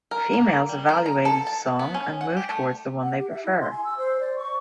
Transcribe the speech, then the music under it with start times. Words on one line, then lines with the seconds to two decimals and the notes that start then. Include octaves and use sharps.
Females evaluate each song and move towards the one they prefer.
0.11 A#4
0.33 A#3
0.69 G3
0.89 A#4
1.06 A#5
1.25 A4
1.47 A5
1.79 B3
1.94 C#4
2.21 F#5
2.37 G4
2.49 A3
3.01 F#5
3.17 G4
3.30 E5
3.43 E4
3.60 C6
3.71 G#5
3.83 E6
3.97 C5
4.20 D5
4.37 C#6